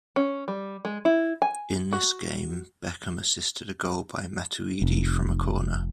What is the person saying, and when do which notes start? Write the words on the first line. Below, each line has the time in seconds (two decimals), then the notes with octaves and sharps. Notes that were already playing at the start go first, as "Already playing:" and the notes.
In this game, Beckham assisted a goal by Matuidi from a corner.
0.16 C#4
0.48 G3
0.85 G#3
1.05 E4
1.42 G#5
1.93 F#4
4.82 F1